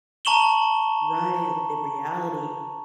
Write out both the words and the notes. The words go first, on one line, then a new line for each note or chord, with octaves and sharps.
Right. The reality
A5 A#5 C#6 E7 F#7 G7